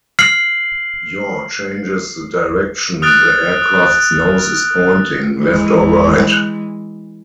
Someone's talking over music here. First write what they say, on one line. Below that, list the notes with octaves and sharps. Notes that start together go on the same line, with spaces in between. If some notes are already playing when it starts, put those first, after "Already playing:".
Yaw changes the direction the aircraft's nose is pointing, left or right.
F6 C7 F#7
D#6 F6 F#6 A6 D7
E3 G#3